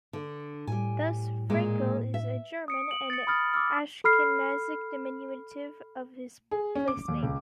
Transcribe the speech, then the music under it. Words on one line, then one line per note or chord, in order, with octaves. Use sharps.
Thus Frankel is a German and Ashkenazic diminutive of this placename.
D3
A2 G3 G#5
A#2 G#3 A#3
E5
D#6 C#7 D7
F#7
A6 C#7
B5 D#6 F6 A6
D6 E6 F6
A4 B5 F6 C7
G#4
C#4
D6
D#2
C#2